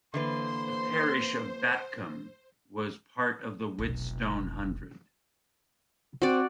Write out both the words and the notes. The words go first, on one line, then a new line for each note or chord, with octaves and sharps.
The parish of Batcombe was part of the Whitstone Hundred.
D3 E3 A#3 B4 C5 C6
F1 B1
C4 F#4 D5